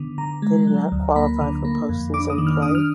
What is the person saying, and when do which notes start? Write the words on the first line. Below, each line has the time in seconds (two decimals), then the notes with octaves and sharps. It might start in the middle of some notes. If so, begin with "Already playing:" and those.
They did not qualify for post season play.
Already playing: D3 D#3 B3
0.18 D3 A#5
0.42 G#3
0.67 F#3
0.92 D2
1.16 A#3 B5
1.41 D3
1.65 A#3
1.89 F2
2.14 D4 D6
2.30 D#6
2.38 D#3
2.47 F6
2.62 D4 D#6
2.75 F6